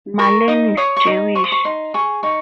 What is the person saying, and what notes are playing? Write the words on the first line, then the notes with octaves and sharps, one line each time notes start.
Marlens is Jewish.
A#4 C#6
D#4 D#6
C#5 D#6
C#6
D#4 D#6
C5 C#6
D#6
C#6
D#4 C6
G#4 C#6
D#4 C#6